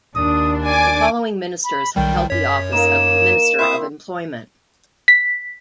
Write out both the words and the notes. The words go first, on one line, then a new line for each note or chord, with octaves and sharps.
The following ministers have held the office of Minister of Employment.
D#2 D4 D#6
D5 G#5 D6
B5
B1 D#3 G3 G5
F#2 C#5 B6
A#3 D#4 A#4 E7
C4 E4 E5 F5 D#6
B6